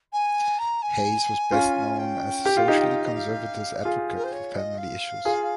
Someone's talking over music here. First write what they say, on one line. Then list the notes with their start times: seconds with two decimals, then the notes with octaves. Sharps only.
Hayes was best known as a socially conservative advocate for family issues.
0.13 G#5
0.59 A#5
0.82 G#5
1.52 C#4 F4
1.99 G5
2.45 G4
2.57 F4
2.68 D#4 G4
2.92 F5
3.03 D#5
3.15 F5
3.85 F4 G#4
4.16 A#4
4.24 C5
4.32 C#5
4.55 D#5
4.78 F5
5.25 F4 G#4